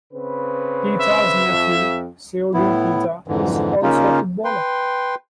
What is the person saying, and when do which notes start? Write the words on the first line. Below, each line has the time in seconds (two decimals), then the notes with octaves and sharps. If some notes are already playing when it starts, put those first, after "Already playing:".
Keita's nephew, Seydou Keita, is also a footballer.
0.13 C#3 C4 B4
1.00 E5
1.47 F2
2.54 A2 B3 E4
3.28 F2 G#2 D3 E3
3.82 C#3 A#3 C#4 D#4 F4
4.44 B4 G5 C6